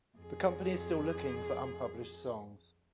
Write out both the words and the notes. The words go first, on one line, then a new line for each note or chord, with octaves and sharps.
The company is still looking for unpublished songs.
F2 G#4